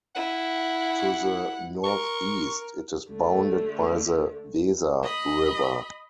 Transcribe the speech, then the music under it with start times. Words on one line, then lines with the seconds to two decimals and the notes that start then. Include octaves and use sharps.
To the northeast it is bounded by the Weser river.
0.15 E4 F#5
1.84 A#4 C#6
3.10 D3 A3
5.03 D#5 B5